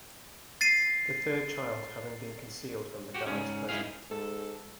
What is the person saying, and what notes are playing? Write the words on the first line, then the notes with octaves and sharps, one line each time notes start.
The third child having been concealed from the guards present.
A6 C7 D#7
F#4 G4
G#2 C#4
G#2 D#4 E4 G#4 F5
G#2 A4